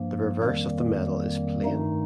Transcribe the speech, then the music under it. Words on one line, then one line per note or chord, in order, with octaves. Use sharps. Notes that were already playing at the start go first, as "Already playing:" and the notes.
The reverse of the medal is plain.
Already playing: G2 F3 A#3
F2 D#3 G3 A#3
G2 D#3 A3 D#4